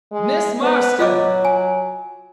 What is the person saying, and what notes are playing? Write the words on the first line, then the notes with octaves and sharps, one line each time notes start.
"Miss Marston!"
G#3
B3 C5
F#3 F4 D#5 D6
G#5